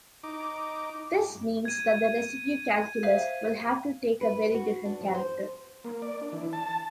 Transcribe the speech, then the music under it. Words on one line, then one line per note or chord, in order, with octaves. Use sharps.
This means that the residue calculus will have to take a very different character.
D#4 D6
G#6 D#7
C5 E5 F5
B4
F#4
D4
F3
C5
A#3
D5
D4
E3
A5